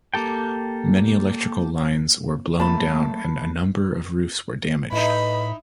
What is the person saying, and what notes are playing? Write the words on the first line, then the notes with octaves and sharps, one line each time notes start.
Many electrical lines were blown down and a number of roofs were damaged.
A#3 G4 A4 G5
F#3 A3 A#3 A5 B5
A2 D#4 E4 B4 D#5 B5